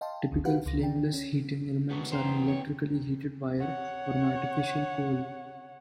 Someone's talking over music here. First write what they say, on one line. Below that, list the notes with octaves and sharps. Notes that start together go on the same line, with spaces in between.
Typical flameless heating elements are an electrically heated wire or an artificial coal.
D#5 F5 G5 A5 C6
G1 D2 D3
E4 F#4 G4 B4 F5 F#5
C#2 A#6
D#3 D4 G5
C#4
D#3 G#3 B3 D#4 F#4 C#6
E2 C5 G5 A#5
C#5
C#5 F#5